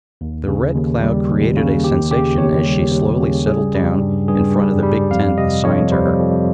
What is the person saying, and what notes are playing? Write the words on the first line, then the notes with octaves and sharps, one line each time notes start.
The Red Cloud created a sensation as she slowly settled down in front of the big tent assigned to her.
D#2
C#3
D#2
G3
D#2
C#3
D#2 G4
C#3 G4
D#2 C#5
G3
D#2
C#3
G3 G#4
G3
G2
G2 G#4
G3
G3
F2 F5
C3 D#5
F2 C#5
G3 C5
F2